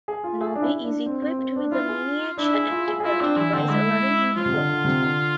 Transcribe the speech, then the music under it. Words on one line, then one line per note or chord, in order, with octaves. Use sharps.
Norby is equipped with a miniature anti-gravity device allowing him to float.
G#4
F4
G#4
D4
E4
D4
C4
C4
C4
D4
E4 F4
G#4
D4 E4
G#4
F4
G#4
G#4
E4 F4
C4 D4
E3 E4
D3 C4
G#3 E4
F3 F4
C3
D3
D3
C3
D3